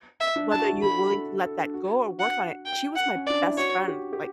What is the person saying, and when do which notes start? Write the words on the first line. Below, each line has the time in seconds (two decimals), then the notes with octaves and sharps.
Whether you're willing to let that go or work on it. She was my best friend. Like
0.20 E5
0.36 D4
0.51 E4 A5
0.58 F#4
0.81 A4 B5
1.12 A4
1.42 A4
1.74 F#4
2.19 F#5
2.65 G5
2.96 F#5
3.15 C#4
3.26 D4 D5
3.43 E4
3.57 F#4 C#5
3.88 G4
4.13 G4